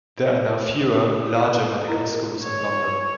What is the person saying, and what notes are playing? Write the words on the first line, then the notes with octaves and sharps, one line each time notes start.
There are now fewer, larger medical schools in London.
A#4 C#5 E5
E4 F4 A#4 D#5
C#5